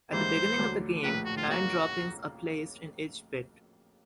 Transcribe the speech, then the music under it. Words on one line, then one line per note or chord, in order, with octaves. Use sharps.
At the beginning of the game, nine droppings are placed in each pit.
G#2 E3 G3 A#3 C5
D2 D3 F#3
A#1 A2 F3 B4
F#4
F4
F2 C#3 F#3 A#3 D#4 F#4